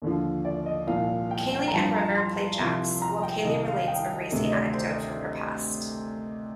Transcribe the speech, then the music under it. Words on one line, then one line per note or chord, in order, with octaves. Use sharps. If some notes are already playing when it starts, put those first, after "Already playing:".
Kaylee and River play jacks while Kaylee relates a racy anecdote from her past.
D#2 D3 F3
D5
D#5
C2 A#2 F3 F5
G5
G5
A#5
G2 F3 A5
A#5
C6
C2 C3 F3
A#5
G5
C2 C3 D#3 D#5
F5
G5
D2 C3 D#3
D#5
D5
C5